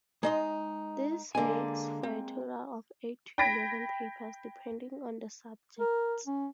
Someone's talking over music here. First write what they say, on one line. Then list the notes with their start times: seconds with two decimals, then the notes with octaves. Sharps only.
This makes for a total of eight to eleven papers, depending on the subjects.
0.23 G#3 D#4 D#5 C6
1.35 D3 G#3 A#3 G#5
2.03 C4
3.38 G5 B5 G#6 A#6 B6 D7
5.79 A#4
6.27 C#4